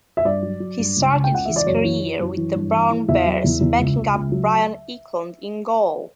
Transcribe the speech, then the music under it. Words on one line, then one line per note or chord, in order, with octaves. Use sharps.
He started his career with the Brown Bears backing up Brian Eklund in goal.
E5
G2 D5
F#3
F#3
G2
C#2
C#3
G5
C#2 F#5
E3 E5
D5
F#2 C#5
E3
E3
F#2
E3
G2
E3
E3
E2 E5
F#3
E2
E2
C#2
C#2
C#2
F#3